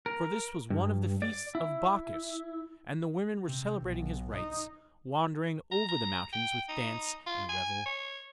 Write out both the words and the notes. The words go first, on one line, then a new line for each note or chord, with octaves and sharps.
For this was one of the feasts of Bacchus, and the women were celebrating his rites, wandering over the mountains with dance and revel.
A#4
G2
D5
E4
C3
B1
D#4
A#5
A#5
G5
D#4
F4
G#5
C#5